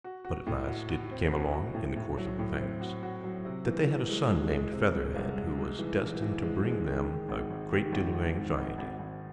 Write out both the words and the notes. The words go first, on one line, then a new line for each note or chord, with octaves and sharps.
But at last it came along, in the course of events, that they had a son named Featherhead, who was destined to bring them a great deal of anxiety.
F#4
F#4
A2
F#4
F#4
C4
F#4
F#4
A2
A2
F#3
A2
C4
F#4
F#4
F#3
C3
E3
E3
G#3
G#3
G#3
C3
G#3
C2
G#3
G#3
E3
E3
E3
G#3
G#3
D#3
D#3
G#1
G#1
D#3
G#1
G#1
G#2
G#1
G#1
G#1